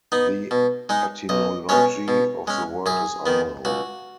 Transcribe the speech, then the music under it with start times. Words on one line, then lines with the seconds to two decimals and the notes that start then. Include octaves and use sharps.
The etymology of the word is unknown.
0.12 B3 D#4
0.51 B2
0.89 G#3 D#4
1.29 B1 D#5
1.69 B2 G#3 C#4 C#5
2.08 B2
2.47 G#3 C#4
2.86 F#2 G#4
3.26 D#3 B3
3.65 C#2 F#4